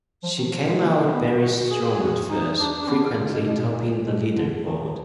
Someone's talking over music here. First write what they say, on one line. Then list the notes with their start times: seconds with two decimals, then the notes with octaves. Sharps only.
She came out very strong at first, frequently topping the leaderboard.
0.23 F3
0.38 D#3
0.53 F3
0.68 G#3
0.82 A#3
1.12 B3
1.42 F#4
1.71 G#4
1.91 G#4
2.01 F#4
2.30 D#4
2.59 D4
2.82 D4
2.89 B3
3.18 D3
3.33 B2
3.48 B2
3.63 A#2
3.78 A#2
4.06 B2
4.36 D3
4.65 D#3